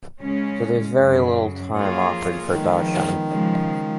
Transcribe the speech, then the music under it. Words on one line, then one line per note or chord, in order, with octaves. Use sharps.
So, there is very little time offered for 'Darshan'.
C#3 G#3 C#4
F#2 C#3 F#3
F3 A#3 F4 G#4 C#5
D#3 F3 G#3 B3
C#3 F3 G#3